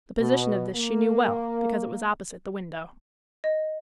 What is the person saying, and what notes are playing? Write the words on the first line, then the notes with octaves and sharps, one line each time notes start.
The position of this she knew well, because it was opposite the window.
B2
A#3
D#5